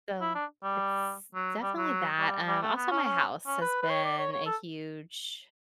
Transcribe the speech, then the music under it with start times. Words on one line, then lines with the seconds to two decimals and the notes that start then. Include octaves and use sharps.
So, it's definitely that, um, also my house has been a huge
0.21 E4
0.35 D4
0.63 G3
1.35 F#3
1.62 G3
1.77 F#3
2.19 G3
2.48 G3
2.62 A3
2.76 B3
2.91 C#4
3.05 C#4
3.47 C#4
3.61 B4
3.82 B4
3.90 C#5
4.04 D5
4.18 C#5
4.32 C#5
4.46 A4